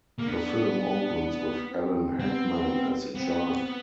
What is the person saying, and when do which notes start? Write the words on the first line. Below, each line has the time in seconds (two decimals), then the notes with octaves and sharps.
The film opens with Alan Hakman as a child.
0.19 A#3
0.27 B3 D4
1.72 C4
2.20 B3 C4
3.15 B3 C4